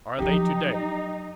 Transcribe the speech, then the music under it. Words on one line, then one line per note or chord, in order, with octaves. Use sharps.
Are they to-day?
F3 F#3 D#4 G4